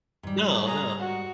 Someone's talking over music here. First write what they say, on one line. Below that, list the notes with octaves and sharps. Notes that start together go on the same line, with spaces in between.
No, no.
G#2 G3
G#4 A#5
F#4